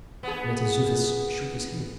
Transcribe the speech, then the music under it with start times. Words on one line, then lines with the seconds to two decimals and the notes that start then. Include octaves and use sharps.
Mentezufis shook his head.
0.23 B3 G#4